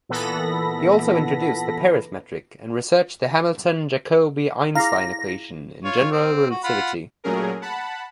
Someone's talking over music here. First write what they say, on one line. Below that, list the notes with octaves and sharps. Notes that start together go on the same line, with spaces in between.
He also introduced the Peres metric and researched the Hamilton-Jacobi-Einstein equation in general relativity.
A#2 E3 B3 A4 B5 A#6
E4 G#4 F5 A#6
F4 C#5
C4
F#4
F4 F#5 B5
A#2 F#3 A3 C#4 G#4 A#4
F#5 A5 B5